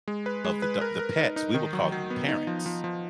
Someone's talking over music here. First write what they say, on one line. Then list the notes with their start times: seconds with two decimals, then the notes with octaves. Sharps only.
of the do the pets, we would call them parents.
0.08 G#3
0.26 B4
0.45 G#3
0.62 B4
0.81 A#4
0.99 A#4
1.18 D#4
1.36 D#4
1.54 D#3
1.73 F#3
1.92 F#3
2.10 B3
2.29 D#4
2.47 F3
2.66 F3
2.84 F3